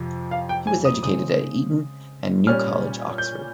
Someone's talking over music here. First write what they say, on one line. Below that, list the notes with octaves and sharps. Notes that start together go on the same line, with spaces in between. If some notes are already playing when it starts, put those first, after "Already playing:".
He was educated at Eton and New College, Oxford.
Already playing: F2 C3 F3
F5
G5
G#5
D#6
C#3 G#3 C4 D#6
A#2 G3 C#4 F6
G6